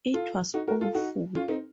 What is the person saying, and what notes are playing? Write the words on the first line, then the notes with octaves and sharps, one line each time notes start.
It was awful.
F4 A4
D#4 F#4
F#4 A#4
F4 A4
D#4 F#4
C#4 F4
C4 D#4